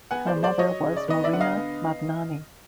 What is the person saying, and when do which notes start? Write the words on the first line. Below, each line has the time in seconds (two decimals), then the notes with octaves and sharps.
Her mother was Marina Magnani.
0.11 B3 F#5 G#5
0.27 C5 D5
0.35 G#3
0.43 C5 D5
0.59 F#3 C#5 D#5
0.84 C#3
0.97 D5
1.08 B3 D#5
1.24 D5 E5
1.33 D3 F#5
1.40 D#5 F5
1.56 B3